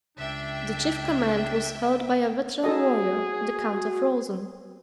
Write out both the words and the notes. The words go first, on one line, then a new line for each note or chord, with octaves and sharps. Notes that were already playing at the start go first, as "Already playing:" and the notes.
The chief command was held by a veteran warrior, the Count of Rosen.
C#2 D4 E5 G5
D#4 F#4 G#4 A4 D#5